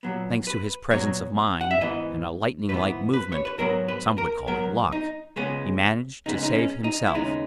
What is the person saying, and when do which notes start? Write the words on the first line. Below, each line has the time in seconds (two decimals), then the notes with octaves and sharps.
Thanks to his presence of mind and a lightning-like movement -- some would call it luck -- he managed to save himself.
0.03 A#2 F#3 B3
0.47 B4
0.91 A#2 F#3 B3 C#5
1.61 F#5
1.71 E5
1.81 G#2 E3 B3 D#5
2.69 G#2 E3 B3 B4
3.13 B4
3.32 C#5
3.45 B4
3.58 G#2 F#3 B3 A#4
3.88 B4
4.18 A#4
4.47 G#2 F#3 B3 A#4
4.92 D#4
5.36 C#2 C#3 G#3 B3 C#4
6.26 C#2 C#3 G#3 B3 D#4
6.43 D#4
6.55 C#4
6.84 D#4
7.07 E4
7.14 D#2 C#3 G#3 B3 D#4